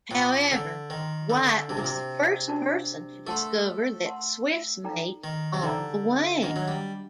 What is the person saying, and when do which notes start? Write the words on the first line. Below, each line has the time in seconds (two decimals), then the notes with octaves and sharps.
However, White was the first person to discover that swifts mate on the wing.
0.11 A#2 C5 G5 C6
0.51 D3
0.90 D#3 C5 G5 C6
1.30 D3
1.68 C3 D4 F#4 A#4 D5 A5
1.77 A#2
1.84 C3
2.48 D4 F#4 A#4 D5 A5
3.26 A3 A#4 F#5 A5 C6
4.05 A#4 F#5 A5 C6
4.84 D#4 A4 D5 G5 A#5
5.24 D#3
5.54 C3
5.62 D3 D#4 A4 D5 G5 A#5
6.43 D#3 D4 F#4 A#4 D#5 F#5
6.56 F#3
6.68 G3